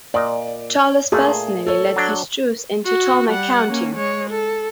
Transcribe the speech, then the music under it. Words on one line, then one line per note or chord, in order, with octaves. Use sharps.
Charles personally led his troops into Tolna County.
A#2 D5 D#5
A#2 A3 G#4
A4 C#5
F#3 D4
F#4
G3 F#5
A#3 C#4
G#3 C#5
A4